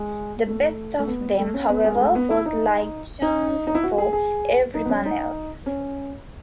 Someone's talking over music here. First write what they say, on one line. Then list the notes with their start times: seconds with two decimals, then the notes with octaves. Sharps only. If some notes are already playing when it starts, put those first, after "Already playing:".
The best of them, however, worked like charms for everyone else.
Already playing: G#3
0.47 A3
0.99 A3
1.08 B3
1.39 A3
1.54 C#4
1.69 B3
1.84 G#3
1.96 G#3
2.00 A3
2.15 B3
2.30 E4
2.45 D#4
3.22 D#4
3.67 D#4
3.75 E4
3.83 F#4
3.98 G#4
4.13 G#4
4.74 D#4
4.85 B3
4.89 C#4
5.05 D#4
5.66 C#4